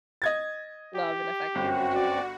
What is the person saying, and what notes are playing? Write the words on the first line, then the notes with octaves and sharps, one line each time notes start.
love and affection to people.
D#5 G#6 A6
G4
G1 F#2 C4 F#4
D5